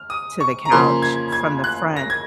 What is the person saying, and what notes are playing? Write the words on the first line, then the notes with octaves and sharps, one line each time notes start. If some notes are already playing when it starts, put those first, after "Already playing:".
to the couch from the front.
Already playing: F6
D#6
C#6
A#5
C#3 F3 A#3 C6
G#6
G#6
F#6
A#6
G#6